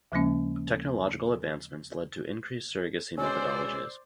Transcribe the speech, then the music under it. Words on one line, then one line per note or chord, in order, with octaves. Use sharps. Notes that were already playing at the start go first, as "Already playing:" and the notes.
Technological advancements led to increased surrogacy methodologies.
D#2 C#3 F3 G#3 A#3 C#4
B2 G#3 C#4 C5 D5 E6